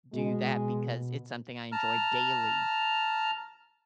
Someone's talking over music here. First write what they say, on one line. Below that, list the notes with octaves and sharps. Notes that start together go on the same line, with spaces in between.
do that because it's something I enjoy daily.
B2 G#3
A5 A#5 F6